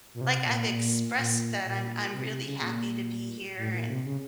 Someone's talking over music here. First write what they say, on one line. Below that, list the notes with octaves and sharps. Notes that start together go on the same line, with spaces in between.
like, I've expressed that I'm I'm really happy to be here, and,
A#2
C3
A#2
A#2
A#2
A#2
C3
C3
C#3
A#2
A2
A#2
C3
C#3